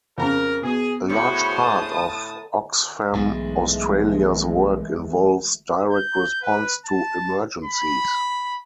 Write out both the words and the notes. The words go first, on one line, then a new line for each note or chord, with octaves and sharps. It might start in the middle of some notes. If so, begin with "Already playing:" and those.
A large part of Oxfam Australia's work involves direct response to emergencies.
F2 C#3 A#4
B2 G#4
A2 F#4 G#4 C5 C#5 B5 C#6
A5 D#6
B1 G#2 E3 G#3 A3
G6
B4
A5
B5